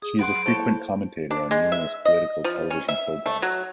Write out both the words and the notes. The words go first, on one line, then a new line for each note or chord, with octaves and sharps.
She is a frequent commentator on numerous political television programs.
G#4 D#6
F#3 B4 F#5 C6 F#6 D7
A#3 E4 A4 C5 C#5 A5
D4
G#3
E5
D#5
F3
C#4
E5
A3
F#3